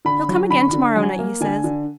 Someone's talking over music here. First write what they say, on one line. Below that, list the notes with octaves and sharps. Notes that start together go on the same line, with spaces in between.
'He'll come again to-morrow night, he says.
D3 B5
F#3
D3 B5
D3
F#3 G#5
A#3
D3 G#5
D3